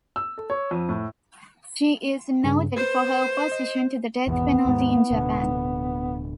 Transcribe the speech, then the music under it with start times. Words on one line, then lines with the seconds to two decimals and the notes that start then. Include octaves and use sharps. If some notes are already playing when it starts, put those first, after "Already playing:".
She is noted for her opposition to the death penalty in Japan.
0.16 E6
0.38 A4
0.50 C#5
0.71 F2
0.89 A2
2.44 G2 C#3
2.76 B4 C5
3.52 D#5
4.27 G#1 E2 B2 B3
4.65 D#2 G#2
5.11 D1 B2 D3